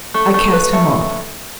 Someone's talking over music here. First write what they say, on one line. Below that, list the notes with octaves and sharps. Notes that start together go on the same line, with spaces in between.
I cast him off.
A3
A3
B4
A3